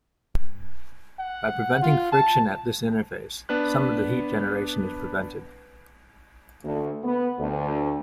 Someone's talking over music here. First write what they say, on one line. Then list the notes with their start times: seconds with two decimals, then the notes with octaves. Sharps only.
By preventing friction at this interface, some of the heat generation is prevented.
1.19 F#5
1.82 F4
2.12 A5
3.49 B3 D4 B4 F#6
6.64 D2
7.04 B3
7.39 D2